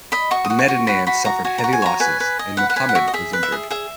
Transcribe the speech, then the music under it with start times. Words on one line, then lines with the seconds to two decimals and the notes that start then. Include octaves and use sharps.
The Medinans suffered heavy losses, and Muhammad was injured.
0.12 D#5 B5
0.31 F#4 C#6
0.45 D#6
0.50 F#4
0.59 C#6
0.68 F#4
0.87 F#4 B5
1.07 F#4 B5
1.25 F#4 A#5
1.45 F#4 G#5
1.58 A#5
1.64 F#4
1.73 G#5
1.82 C#5 A#5
2.00 B4 G#5
2.20 B4
2.39 D#5
2.57 B4 F#5
2.70 F#5
2.76 B4 G#5
2.89 F#5
2.95 F#4 E5
3.08 D#5
3.14 G#4 E5
3.33 B4
3.43 E5
3.52 G#4
3.70 G#4 E5